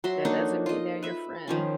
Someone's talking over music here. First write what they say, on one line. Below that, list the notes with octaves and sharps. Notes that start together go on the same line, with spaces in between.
that doesn't mean they're your friend.
F#3 F#4 E5 C6
A#3 D4 D#4 A4
F4 D#5
B4 E5
D#3 F3 C#4